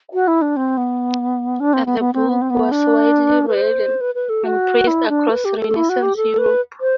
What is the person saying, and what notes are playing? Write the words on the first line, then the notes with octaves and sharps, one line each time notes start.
The book was widely read and praised across Renaissance Europe.
F#4
E4
D4
C4
B3
D4
C4
B3
B3
C4
B3
C4
B3
D4
B4
C5
B4
B4
A4
F#4
E4
D4
B4
G4
A4
E4
F#4
G4
A4
B4
C5